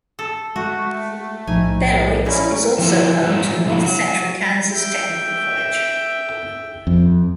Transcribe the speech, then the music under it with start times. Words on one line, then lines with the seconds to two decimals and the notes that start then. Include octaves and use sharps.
Beloit is also home to the North Central Kansas Technical College.
0.19 A4
0.56 G#3 A3 F#4 F#5
1.47 B1 A2 F3 D#4 G#5
2.26 A#2 C#4 E4
2.79 E3 F3 A#3 E4
3.23 E3 A3 A#3 E4
3.66 C3 E3 F3 A#3
3.83 F#3
4.72 E5 G5
6.87 F2